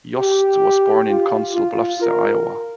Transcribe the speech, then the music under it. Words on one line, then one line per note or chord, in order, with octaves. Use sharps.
Yost was born in Council Bluffs, Iowa.
G4
F4
F4
A#4